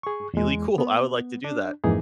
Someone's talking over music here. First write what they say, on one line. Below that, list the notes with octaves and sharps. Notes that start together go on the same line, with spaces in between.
really cool. I would like to do that."
G#4 C#6
E2 G#3
B3
D4
F2 G#2 E3 A#3 D#4 G#4